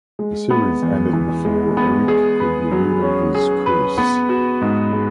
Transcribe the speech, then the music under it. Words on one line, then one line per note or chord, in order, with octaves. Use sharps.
The series ended before Eric could be rid of his curse.
G#3
B3
E2
E3
G#3
B3
G#4
B4
F#3
C#4
G#4
B4
B3
F#4
G#2
G#3